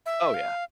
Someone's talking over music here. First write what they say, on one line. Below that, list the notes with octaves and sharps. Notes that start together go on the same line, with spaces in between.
Oh, yeah.
E5
F5